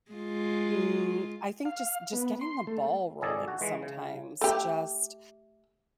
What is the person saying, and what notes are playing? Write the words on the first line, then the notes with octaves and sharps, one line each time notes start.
mm, I think, just just getting the ball rolling sometimes, just
G#3 F4
F5
B3
C6
A3
G#1 G#4 A4 D5 D#5
F#4
E3 G#3
C#3
A3 G4